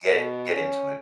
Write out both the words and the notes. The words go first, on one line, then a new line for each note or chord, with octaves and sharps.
get get into it.
B2
C#4